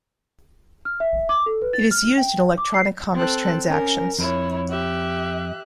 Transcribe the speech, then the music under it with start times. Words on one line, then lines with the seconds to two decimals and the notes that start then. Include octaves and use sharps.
It is used in electronic commerce transactions.
0.85 F6
1.00 E5
1.29 D6
1.46 A4
1.62 B4
1.73 A6
1.91 F6
2.18 G5
2.58 D6
2.74 C7
3.15 C4 A4 F#6
3.70 C#4 A#4
4.19 F2 E4 C#5
4.69 G4 E5 F#6